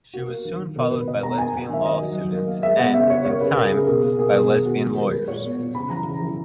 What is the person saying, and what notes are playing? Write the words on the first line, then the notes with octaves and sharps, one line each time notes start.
She was soon followed by lesbian law students and, in time, by lesbian lawyers.
A#3 F#4
A#3
D#3
D#3
B2 A#4
B2 B4
B2 D#5
B3 A#5
A#3 G#5
A#3 G#5
D#3 E5
D#3 D#5
F#3
F#3
A#3
A#3
G#3 E5
B3 F#5
C#3 E5
C#3 C#5
A#3 C#5
C#3 B4
C#3 A#4
G#4
C#3 A#4
B2 G#4
A#3
A#3 G#4
B2 G#4
D#3 A#4
B3 F#4
D#3 G#4
G#3 A#4
G#3 B4
A#2 C#5
B3
A#2
C#3 B5
E3 A#5
C#3
E3